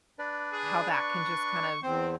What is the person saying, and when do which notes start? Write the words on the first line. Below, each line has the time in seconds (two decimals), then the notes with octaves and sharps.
how that can just kind of
0.19 D4 B4 D5
0.53 G#4
0.91 C#6
1.83 E2 C4 C5